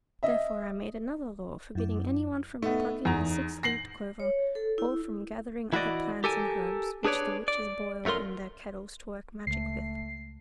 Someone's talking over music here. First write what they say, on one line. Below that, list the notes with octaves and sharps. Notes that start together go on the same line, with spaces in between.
Therefore I made another Law forbidding anyone from plucking a six-leaved clover or from gathering other plants and herbs which the Witches boil in their kettles to work magic with.
D#5 E5
F#2 E4 D6
A3 B3 D#4
E2 A#5
A#6 C7 F#7
C#5
A4
E4
E3 E4 F#4 B4 D5 D#5
G4 A4 A#4 G#5
D4 G#4 B4 C#5 D5
D5
F#2 A3 F4 A#4 C6
C#2 A3 C7